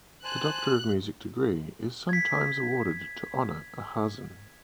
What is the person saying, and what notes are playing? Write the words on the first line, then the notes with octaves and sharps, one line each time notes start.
The doctor of music degree is sometimes awarded to honour a "hazzan".
C5 G#5 A5 F#6
G#6 B6